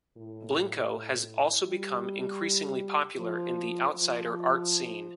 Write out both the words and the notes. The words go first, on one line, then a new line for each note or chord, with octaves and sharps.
Blinko has also become increasingly popular in the outsider art scene.
A2
G3
F3
F3